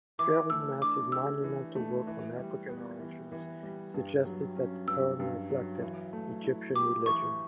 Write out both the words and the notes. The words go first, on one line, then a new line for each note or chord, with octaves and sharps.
Gerald Massey's monumental work on African origins suggested that the poem reflected Egyptian religion.
E3 D6
A3 E6
D4 D6
G4 E6
E3
A3
E3
G3
B3
E3
E3
G3
G2
F#3
C#4
G2 E6
G2
F#3
E3
A3
E4
G4 D6
E3 C#6